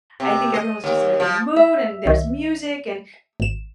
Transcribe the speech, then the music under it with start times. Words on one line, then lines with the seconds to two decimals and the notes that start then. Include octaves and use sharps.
I think everyone's just in a good mood, and there's music and
0.20 C3
0.54 D#5
0.84 D#2
1.20 F3
1.56 E5
2.06 C2 D#3
3.40 G#1 E7